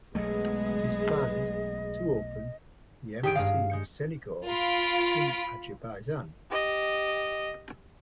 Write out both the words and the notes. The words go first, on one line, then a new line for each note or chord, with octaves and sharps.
It is planned to open the Embassy of Senegal in Azerbaijan.
B1 F#3 G#3 A3 B3 G#4 D#5
G#1 G4 G#4 D7
G2 G#3 G#4 F5
G#3 G6 C#7
F4 B5 D7
G4 D#5